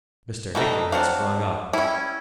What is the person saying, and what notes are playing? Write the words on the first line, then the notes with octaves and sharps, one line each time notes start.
Mr. Hickman had sprung up.
G3 A3 D#4 F#4 A4
F#3 C4 D4 F5
G3 C#4 E4